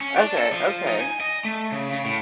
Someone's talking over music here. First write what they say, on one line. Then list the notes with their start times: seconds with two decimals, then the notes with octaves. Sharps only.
Okay, okay,
0.01 C#4
0.16 D4
0.38 A4
0.53 F3
0.87 D#4
1.01 G#5
1.20 D#5
1.45 A3
1.72 C#3
1.90 C#3
2.05 A2